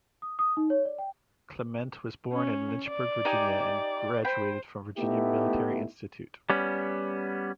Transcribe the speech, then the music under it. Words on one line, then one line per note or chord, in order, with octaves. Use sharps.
Clement was born in Lynchburg, Virginia, and graduated from Virginia Military Institute.
D#6
D#6
D#4
C#5
D5
G5
C#4
D5
D#4 G4 G#5
C5 G5 B5
A3 B3 D#4 E4 G4
G3 B3 C#4